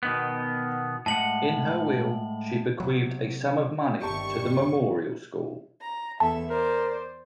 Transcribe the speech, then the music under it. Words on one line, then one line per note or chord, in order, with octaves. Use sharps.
In her will, she bequeathed a sum of money to the Memorial School.
B2 D#3 B3
A2 G#3 F#5 A5 F#7
C3 F#3
G1 C3 D#3 G3 G4 E5 A5 C#6
A#5
E2 A4 E5 A5
A#4 C5 D5